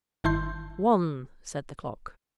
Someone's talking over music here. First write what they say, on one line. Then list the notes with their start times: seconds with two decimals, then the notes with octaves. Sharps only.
"One!" said the clock.
0.24 G1 D#3 E4 A5 C6 G6